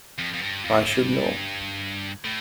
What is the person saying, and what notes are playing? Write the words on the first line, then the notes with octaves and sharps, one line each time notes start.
I should know.
F2
F2
G2
F2
G2
A2